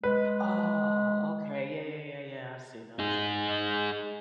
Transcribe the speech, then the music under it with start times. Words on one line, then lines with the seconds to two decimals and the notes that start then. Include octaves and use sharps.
Oh, okay yeah, yeah, yeah, yeah. I've seen those.
0.04 G#3 B4
2.99 D#4 G#4